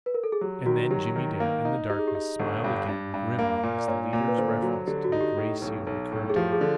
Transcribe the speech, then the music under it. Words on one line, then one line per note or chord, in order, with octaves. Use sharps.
And then Jimmie Dale, in the darkness, smiled again grimly as the leader's reference to the Gray Seal recurred to him.
B4
A#4
A4
G#4
F#3 G4
D#3 F#4
F#3 G4
D#3
A#3
D#4
D#4 G4
G#4
G4
D#4
G1
G2
G2
G2
A#3
A#2
D5
A#2 C#5
A#2
B4
D3 C5
F#3 F#4
D3 G4
F#4
D#4
G4
A2
B1
B1
A2
G#4
F3 G4
G#4
D3